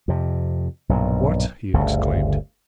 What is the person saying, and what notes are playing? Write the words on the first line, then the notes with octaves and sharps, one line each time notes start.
"What!" he exclaimed.
F2 C3
B1 G2 A#2
G1 D2 C#3